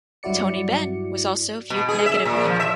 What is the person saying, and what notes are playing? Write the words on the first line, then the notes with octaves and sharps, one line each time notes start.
Tony Benn was also viewed negatively.
G2 F#3 E4 F#4 D5 C#7
B2
G#4
E5
A#2
F3
E5